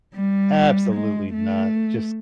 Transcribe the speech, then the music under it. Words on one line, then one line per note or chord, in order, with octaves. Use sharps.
Absolutely not, just
G3
G#3
A3